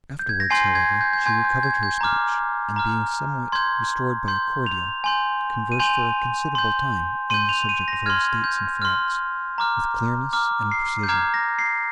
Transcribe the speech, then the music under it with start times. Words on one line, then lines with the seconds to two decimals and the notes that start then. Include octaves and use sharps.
Afterwards, however, she recovered her speech, and, being somewhat restored by a cordial, conversed for a considerable time, on the subject of her estates in France, with clearness and precision.
0.19 G6
0.29 G#6
0.40 A#6
0.50 G#5 C6 G6 C7
0.75 G#6
1.01 G6
1.13 G6
1.26 G#5 C6 G6 G#6
1.44 G6
1.63 G#6
1.83 G6
2.01 A#5 D6 F6
2.76 A#5 D6 F6
3.52 C6 G6 G#6
4.28 C6 G6
4.66 F7
5.04 G#5 C6 G6
5.72 D#7
5.80 G#5 C6 G6 F7
6.55 C6 G6
7.30 C6 G6 D#7
7.49 F7
7.69 D#7
7.88 A#6
8.06 C6 F6 G#6
8.44 G6
8.82 C6 F6
9.58 A#5 D6 F6
10.33 A#5 D6 F6
10.71 C7
11.03 G6
11.09 A#5 D6 F6 G#6
11.34 A#6
11.59 C7